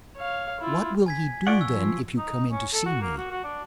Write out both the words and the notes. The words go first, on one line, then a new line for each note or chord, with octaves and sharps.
"What will he do, then, if you come in to see me?"
C#5 F5
E4 F4
G#5 G#6 B6
F4 D5 F#5 C#6
F3 E6
D#4
C#4
A4
F#4
A#3
F#4
F#4
D4